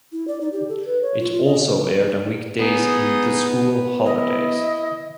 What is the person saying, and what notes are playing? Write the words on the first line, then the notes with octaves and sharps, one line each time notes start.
It also aired on weekdays in the school holidays.
E4
D5
D#4
G4
A4
B4
C#5
F4
F4
D#5
B3 D#4 G#4
E4 D#5